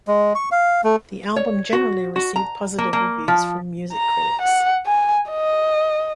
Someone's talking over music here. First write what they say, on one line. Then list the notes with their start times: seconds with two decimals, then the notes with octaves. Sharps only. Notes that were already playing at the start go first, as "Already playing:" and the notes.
The album generally received positive reviews from music critics.
0.07 G#3
0.35 C#6
0.52 F5
0.84 A3
1.36 C#5
1.73 F#4
2.16 F#4
2.36 A#5
2.78 A#3
2.93 A#3
3.28 F3
3.93 A#5
4.41 F#5
4.86 G#5
5.30 D#5